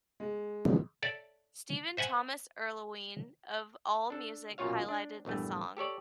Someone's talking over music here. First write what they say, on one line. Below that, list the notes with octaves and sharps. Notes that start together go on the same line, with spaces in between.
Stephen Thomas Erlewine of AllMusic highlighted the song.
G#3
A4 C#5 D5 E5
C5 E5 F#5 G#5
D4 A4
B1 F#2 A#2 F4 C#5 F5
D4
A#1 E2 G2 A3
G4 A4 C#5 D5